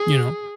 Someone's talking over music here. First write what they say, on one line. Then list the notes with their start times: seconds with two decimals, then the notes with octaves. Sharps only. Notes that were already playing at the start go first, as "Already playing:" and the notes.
you know?
Already playing: G#4